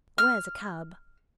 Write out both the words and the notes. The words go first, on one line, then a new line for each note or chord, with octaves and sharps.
Where's a cab?
F6